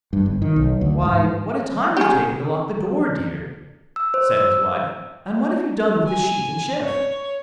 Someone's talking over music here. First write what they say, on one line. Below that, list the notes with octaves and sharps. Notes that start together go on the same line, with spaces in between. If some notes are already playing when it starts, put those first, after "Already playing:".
'Why! what a time you've taken to lock the door, dear!' said his wife; 'and what have you done with the sheet and shift?'
G2
G1
D#3
B1
D2
G#2
G4 G#4
E6
C5
E6
G#5
C#5